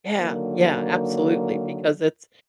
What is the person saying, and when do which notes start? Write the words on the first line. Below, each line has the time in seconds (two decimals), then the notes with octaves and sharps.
Yeah yeah, absolutely, because it's
0.18 D3 D#3 F#3 A#3